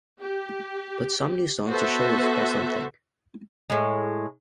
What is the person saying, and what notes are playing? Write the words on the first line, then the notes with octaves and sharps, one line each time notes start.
But, some new songs or shows or something.
G4
B3 F#4 A4 C5 E5
A2 G#3